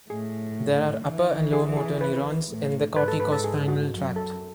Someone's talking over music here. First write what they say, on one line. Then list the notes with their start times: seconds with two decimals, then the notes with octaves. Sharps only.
There are upper and lower motor neurons in the corticospinal tract.
0.09 A2 G#4
1.05 E3
1.53 G#4
1.77 G#4
2.01 B4
2.49 A2
2.96 G#2 B4
3.08 A4
3.20 B4
3.32 A4
3.44 G#4
3.68 F#4
3.92 F#2
4.16 A4